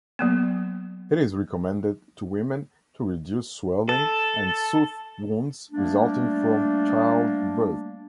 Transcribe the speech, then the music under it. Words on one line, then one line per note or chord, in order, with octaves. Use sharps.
It is recommended to women to reduce swelling and soothe wounds resulting from childbirth.
F#3 A#3 B3
A4
G3 A3 A#3 D4